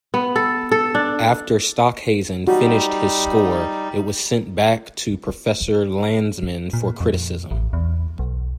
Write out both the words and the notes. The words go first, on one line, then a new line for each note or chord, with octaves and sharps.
After Stockhausen finished his score, it was sent back to Professor Landesmann for criticism.
B3
A4
A4
D4
G3 D#4 F#4
A#2
F2
A1
E2
B1